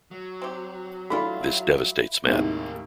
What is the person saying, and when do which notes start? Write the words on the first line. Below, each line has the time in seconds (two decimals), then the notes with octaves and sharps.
This devastates Matt.
0.11 F#3
0.42 C4 G4
1.10 E3 A3 D4 E4 F4 B5
2.26 D#2 A2 C3 G#3 G#4 A#4